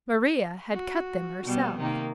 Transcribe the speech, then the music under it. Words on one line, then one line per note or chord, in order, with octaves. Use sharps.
Maria had cut them herself.
F#4
B2 G3 B3
C3 D#3 A#3